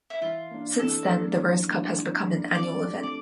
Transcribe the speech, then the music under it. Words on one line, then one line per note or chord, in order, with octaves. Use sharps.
Since then, the Rose Cup has become an annual event.
E4
E3 F4
A#3 D4
E3 A4
A#3 D4
E3
A#3 D4
E3
A#3 D4
C3 D5
F3 A3 D4
D5